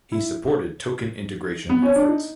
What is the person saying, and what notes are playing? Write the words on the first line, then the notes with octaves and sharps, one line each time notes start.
He supported token integration efforts.
E4
B3
C#4
D4
D#4